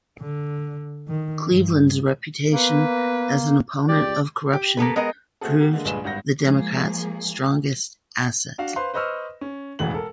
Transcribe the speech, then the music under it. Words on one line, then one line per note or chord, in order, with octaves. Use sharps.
Cleveland's reputation as an opponent of corruption proved the Democrats' strongest asset.
D3
D#3
G2
A#3 B3 B4
C#2 G4 D5
G4
A#3 B3 A4 B4
G#3 B3 A#4 D#5
A3 C4 F#4 G#4 A4
G4 A#4 F#5
D3 G#3 A#3
A#1 G2 G#3 B4 G#5 E7
G#1 G2 F#5 G6 A#6
F3 G#3 A#3 G#4
D4 F#4 F5
B4 C5 F5 C6
B4 C5 D#5 C#6 E6 F6
C#4
E1 C#2 A2 E3 F#7
A4 A#4